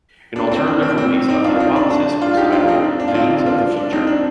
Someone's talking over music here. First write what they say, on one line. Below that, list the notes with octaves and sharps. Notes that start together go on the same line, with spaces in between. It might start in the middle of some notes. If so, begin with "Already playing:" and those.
An alternative release of "Hypothesis" was titled "Visions of the Future".
D4
C4
D4
C4
C4
C4 D#4
D4 F4
D4
C4 D#4
D4
D4
D4 F4
D#4 G4
D4 F4
C4 D#4
D4
D4
F4
C4 D#4
D4 F4
D4 F4
D4
D4
C4 D#4
D4